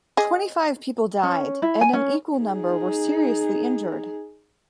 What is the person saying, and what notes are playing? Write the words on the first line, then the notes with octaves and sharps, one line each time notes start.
Twenty-five people died, and an equal number were seriously injured.
G#4 D#5
C#4
E4
G#5
C#4
D#4 G#4